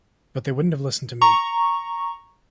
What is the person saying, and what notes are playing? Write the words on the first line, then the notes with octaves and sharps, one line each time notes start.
But they wouldn’t have listened to me.
A#5 C#6